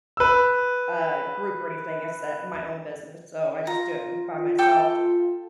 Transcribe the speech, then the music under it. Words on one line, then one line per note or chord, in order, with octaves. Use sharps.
uh, group or anything, it's, uh, my own business, so I just do it m by myself,
B4 E6
F4 A#5
A4 G5 D6